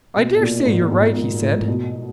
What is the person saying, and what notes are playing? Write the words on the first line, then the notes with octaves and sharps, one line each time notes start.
"I daresay you're right," he said.
B2
B2
A#2
G#2
G#2
A#2
A2
B2